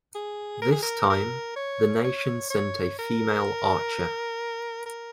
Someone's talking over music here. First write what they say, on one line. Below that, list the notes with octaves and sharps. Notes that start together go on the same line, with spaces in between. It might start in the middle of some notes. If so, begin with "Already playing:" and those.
This time, the nation sent a female archer.
G#4
A#4
G#4
A#4
A#4
C#5
C#5
C#5
A#4
A#4